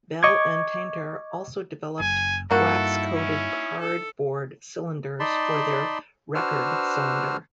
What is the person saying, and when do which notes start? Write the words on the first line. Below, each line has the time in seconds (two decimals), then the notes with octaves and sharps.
Bell and Tainter also developed wax-coated cardboard cylinders for their record cylinder.
0.23 D#5 C#6 D6 G#6
2.00 F#1 G#5
2.51 G2 A#3 D#4 E4 F#4 A4
3.14 C#4
3.81 A4
5.20 D#4 D5 A5 B5 C6
6.35 D4 F#4 B4 C5 E6 F6